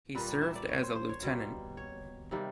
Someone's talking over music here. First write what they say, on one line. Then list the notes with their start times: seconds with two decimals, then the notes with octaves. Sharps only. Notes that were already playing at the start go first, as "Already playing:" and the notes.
He served as a lieutenant.
0.15 A#2 G3 A#3 B4
0.28 D5
0.42 E5
0.55 D5
0.69 C#5
0.83 C5
0.96 C5
1.09 C#5
1.23 B2 G3 A#3
1.77 C#5
2.31 C3 D#3 G3 A#3